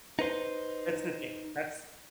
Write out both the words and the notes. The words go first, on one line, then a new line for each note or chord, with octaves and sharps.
That's the thing, that's
D#4 B4 C5